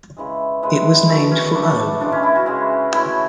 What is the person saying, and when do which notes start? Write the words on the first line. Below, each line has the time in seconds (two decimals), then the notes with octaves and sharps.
It was named for O.
0.17 C#3 E3 G#3
0.63 C#3 E3 G#3 B4
1.09 B2 A3 A4
1.31 C#4
1.54 B2 A3 D4
2.01 C#3 E3 G#3 D4
2.12 C#4
2.23 E4
2.36 F#4
2.46 C#3 E3 G#3
2.92 A2 F#3 A3 E4